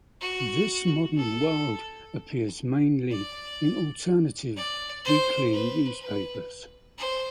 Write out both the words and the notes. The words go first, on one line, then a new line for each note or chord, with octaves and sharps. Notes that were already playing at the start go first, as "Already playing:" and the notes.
"This Modern World" appears mainly in alternative weekly newspapers.
F#4
A4
D5
D5
C5
B4
B4
C5